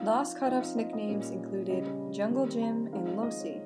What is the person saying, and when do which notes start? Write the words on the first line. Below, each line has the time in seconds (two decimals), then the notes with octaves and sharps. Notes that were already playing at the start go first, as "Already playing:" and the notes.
Loscutoff's nicknames included "Jungle Jim" and "Loscy".
Already playing: F3 C4 D#4 F5
0.16 F5
0.46 F3 C4 D#4 D#5
0.61 F5
0.77 D#5
0.93 D#5
1.09 A#2 G3 C#4
1.69 C#3 G3 C#4 D#5
2.31 D#3 G3 C4
2.62 A#5
2.93 F3 G#3 C4 D#4 F5
3.08 D#5
3.23 D#5
3.39 C#5